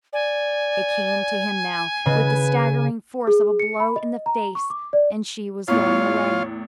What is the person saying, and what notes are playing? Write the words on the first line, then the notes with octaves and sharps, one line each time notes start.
It came to him now with the staggering force of a blow in the face--and she was going away.
D5 G#5
C#3 B4
G#4
C#7
B5
D#5
A#5
C#6
D6
D5
E2 A2 F4 C#5